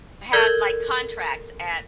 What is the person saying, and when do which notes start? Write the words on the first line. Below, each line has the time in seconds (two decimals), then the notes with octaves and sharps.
had, like, contracts at,
0.33 A4 A#4 D5 G6 G#6